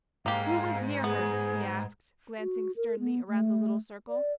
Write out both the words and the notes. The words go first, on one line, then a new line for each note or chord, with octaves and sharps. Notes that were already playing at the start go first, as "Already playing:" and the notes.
"Who was near her?" he asked, glancing sternly around the little circle.
G#2 A#3 G4 F5
B3 G#4
F#4
A#4
B3
A3
D5